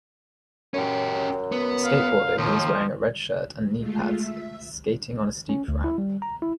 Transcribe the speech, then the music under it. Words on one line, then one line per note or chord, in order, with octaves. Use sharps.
A skateboarder who is wearing a red shirt and knee pads is skating on a steep ramp.
F#2 C#4 G4
B3
F5
D#2 F3
G#3 A3 F4
E5
C#4
D2
E4
G3
A#5
E4